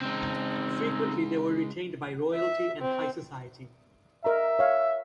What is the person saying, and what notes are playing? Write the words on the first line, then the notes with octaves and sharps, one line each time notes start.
Frequently they were retained by royalty and high society.
C#3 G#3 C4 D#4
E5
C4
A#4 D#5 E5 A#5
C#5 F5